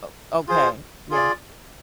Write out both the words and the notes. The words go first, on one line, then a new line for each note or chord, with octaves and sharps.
Oh, okay, yeah.
F4 G#4 C5
F4 G#4 D5